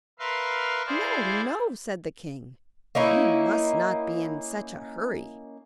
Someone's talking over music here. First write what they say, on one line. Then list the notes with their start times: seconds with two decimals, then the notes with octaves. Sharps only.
'No, no!' said the king; 'you must not be in such a hurry.
0.19 A#4 B4 E5 F5 C6
0.87 E4 G#4 C5 D5 F5
2.95 A#3 C#4 D#4 E4